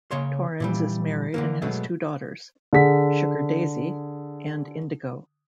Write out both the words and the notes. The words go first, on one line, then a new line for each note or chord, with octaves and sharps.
Torrens is married and has two daughters, Sugar-Daisy and Indigo.
C#3 A#3 C#5 C6
A#2 E3 G3
D3 E3 A#3
B2 F#3 G#3 A3 B3
D3 G#4 B6